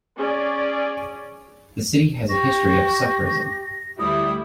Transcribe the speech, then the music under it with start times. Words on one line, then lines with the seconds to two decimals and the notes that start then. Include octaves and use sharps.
The City has a history of Sufism.
0.17 C#4 G#4 D5
2.29 G4 C#6 A#6
4.00 D2 G3 E4 D#6